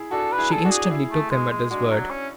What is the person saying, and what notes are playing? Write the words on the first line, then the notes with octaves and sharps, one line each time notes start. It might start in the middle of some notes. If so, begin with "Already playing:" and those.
She instantly took him at his word.
Already playing: E4 G#4
D4 F#4 A4
B4
E4 G#4
A4
D4 F#4
G#4
E4 G#4
A3
G#3
G#3
G#3 D4 F#4
F#3
C#4